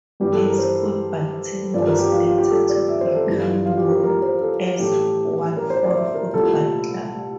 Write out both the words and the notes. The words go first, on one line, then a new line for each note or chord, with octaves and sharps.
This football team was later to become known as Watford Football Club.
G2 E3 G3 G4
A4
A#4
C5
G2 F3 A3 D5
A#4
G4
F4
F4
G4
A4
D5
E5
C5
A4
G2 E3 G3
F4
F4
F4
G4
A#4
A#4
C5
A4
A2 E3 A3 G4
A#4
C5
D5
E5
A#4
C2 A#2 A3 A4